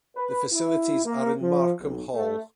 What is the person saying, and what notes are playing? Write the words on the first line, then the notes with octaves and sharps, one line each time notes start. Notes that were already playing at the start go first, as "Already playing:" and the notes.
The facilities are in Markham Hall.
B4
E4
A#3
F3
B1
A3